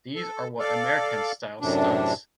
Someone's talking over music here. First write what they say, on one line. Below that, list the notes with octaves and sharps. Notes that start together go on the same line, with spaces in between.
These are what Americans style stunts.
A4
A4 D5 F5
F#2 A2 C3 D4